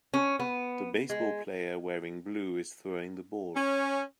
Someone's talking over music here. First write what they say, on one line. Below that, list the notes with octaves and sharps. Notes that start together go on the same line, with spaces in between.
The baseball player wearing blue is throwing the ball.
C#4
B3
G#3
C#4